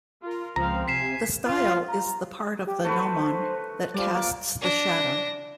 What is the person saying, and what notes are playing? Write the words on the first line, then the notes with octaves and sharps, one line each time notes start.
The style is the part of the gnomon that casts the shadow.
F4 A#4
C#2 F3 C4 F5 A#5
C3 G#5 B6 C7 E7
F4
A#5
G4
A3 F#4 B4 C5
F3 G3 D5
A#3 D6
D4 A#6